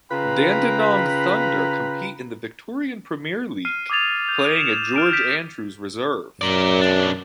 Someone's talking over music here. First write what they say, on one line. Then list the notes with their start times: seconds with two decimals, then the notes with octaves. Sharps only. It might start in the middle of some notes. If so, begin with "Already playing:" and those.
Dandenong Thunder compete in the Victorian Premier League, playing at George Andrews Reserve.
0.11 C#3 F4 B4 G5 A#5 B5
3.65 F6 C7 D#7
3.90 D6 D#6 G#6 A6 F7
4.28 G6
4.56 E7 F7
4.96 F6 D7
5.11 F6 G6 B6 D7
6.41 F#2 A#4 D5
6.81 B1 D4